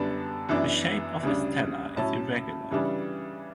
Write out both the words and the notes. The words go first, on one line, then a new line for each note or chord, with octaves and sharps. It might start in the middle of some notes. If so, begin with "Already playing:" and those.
The shape of Estella is irregular.
Already playing: F#2 D3 G3 B3 D4 A5
F#2 E3 B3 D4
D2 C#3 G3 D4
A2 F#3 C#4 E4 A5
C#3 E3 G3 D4